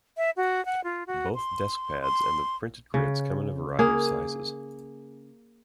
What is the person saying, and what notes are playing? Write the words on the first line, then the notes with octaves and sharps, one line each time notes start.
Both desk pads and the printed grids come in a variety of sizes.
E5
F#4
F#5
F4
F#4
C6
C6
C#3
A#3 G#4